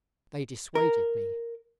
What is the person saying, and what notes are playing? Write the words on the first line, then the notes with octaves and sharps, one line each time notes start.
They dissuaded me.
A#4